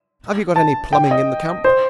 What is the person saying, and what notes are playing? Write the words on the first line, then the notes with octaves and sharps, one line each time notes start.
Have you got any plumbing in the camp?
A5
G5
D#5
C5